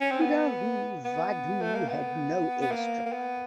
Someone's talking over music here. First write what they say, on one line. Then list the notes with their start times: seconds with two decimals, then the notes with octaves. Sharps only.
Kudahuvadhoo had no airstrip.
0.01 C#4
0.11 C4
0.21 B3
1.04 B3
1.61 A3
1.75 A#3
1.89 B3
2.62 B3
2.71 A#3
3.06 A#3
3.12 B3